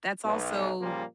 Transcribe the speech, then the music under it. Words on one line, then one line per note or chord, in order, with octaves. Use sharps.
that's also,
B1
A#2 C#3 F3 G3 A#3 F4